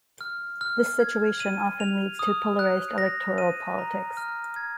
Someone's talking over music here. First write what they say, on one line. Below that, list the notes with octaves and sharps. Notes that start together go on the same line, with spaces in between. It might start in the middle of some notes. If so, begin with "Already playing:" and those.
This situation often leads to polarized electoral politics.
F6
F6
G#6
D#7
F7
D#6
F#6
A#6
D#7
A#5
F6
G#6